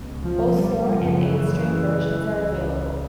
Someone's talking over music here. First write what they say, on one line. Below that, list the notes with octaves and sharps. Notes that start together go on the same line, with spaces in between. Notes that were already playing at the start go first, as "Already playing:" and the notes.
Both four and eight string versions are available.
Already playing: C#2 B2
F3
G3
F#1 F#2 C#3 F3
E3
C#2 C#3